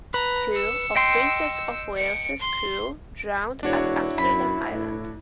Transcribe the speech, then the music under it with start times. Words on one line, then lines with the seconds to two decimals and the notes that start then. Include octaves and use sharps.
Two of "Princess of Wales"s crew drowned at Amsterdam Island.
0.14 B4 A#5
0.53 E6 C#7
0.96 D#5 G5 C6
1.97 C#7 D7
2.40 C6
3.63 E1 D4 E4 F#4 C#5
4.18 F#2 B5
4.70 A2